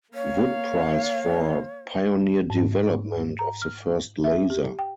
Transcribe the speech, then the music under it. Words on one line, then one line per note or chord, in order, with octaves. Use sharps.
Wood Prize for "Pioneer Development of the First Laser".
A#3 C#5 F5
G#2
A#5
F6
E5
G4
G5